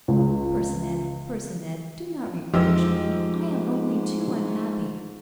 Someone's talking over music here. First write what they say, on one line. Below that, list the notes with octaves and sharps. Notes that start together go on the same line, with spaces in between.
"Percinet, Percinet, do not reproach me; I am only too unhappy."
C#2
F2 G#2 E3 F3 G4 D#5 E5 E6